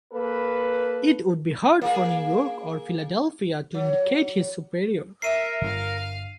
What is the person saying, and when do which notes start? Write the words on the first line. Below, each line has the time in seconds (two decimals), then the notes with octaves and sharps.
It would be hard for New York or Philadelphia to indicate his superior.
0.12 A#3 A4 B4
1.81 A#3 G#4
3.74 F#3
5.22 A#4 E5 C7 D#7
5.64 G1 F5